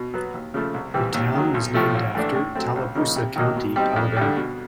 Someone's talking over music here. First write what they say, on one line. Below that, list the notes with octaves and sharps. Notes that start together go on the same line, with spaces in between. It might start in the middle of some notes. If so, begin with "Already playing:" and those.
The town was named after Tallapoosa County, Alabama.
Already playing: B2
F#3 B3
D#2
C#3 F3 A3
C2
C3 E3 G3 C4
D#2
D#3 F#3
B1
A2 F3 A3
A1
A2 E3 A3 D4
A2
F#3 A3 C4
C#2
C#3 F3 A#3 D#4
C3
D#3 F#3 A#3 D#4
B2
G3 C4 D#4
F2
D3 G3
B2